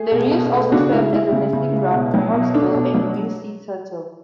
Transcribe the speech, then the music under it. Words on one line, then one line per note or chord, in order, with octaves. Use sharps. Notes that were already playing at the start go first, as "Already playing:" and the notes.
The reefs also serve as a nesting ground for Hawksbill and Green sea turtles.
Already playing: A3 G#4
B2
B2
A3
C#3 D4 F#4
G#3 E4
G#3 E4
C#3
C#3
G#3
B2
F#3
B2
A3 D4
B2
F#3